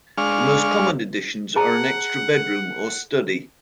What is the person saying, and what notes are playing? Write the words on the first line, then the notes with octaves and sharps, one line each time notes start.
The most common additions are an extra bedroom or study.
G#3 D4 F5 C#6 F6
G#4 F#5 A5 A#5